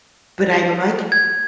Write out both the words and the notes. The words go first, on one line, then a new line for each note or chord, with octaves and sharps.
But I'd like
G#6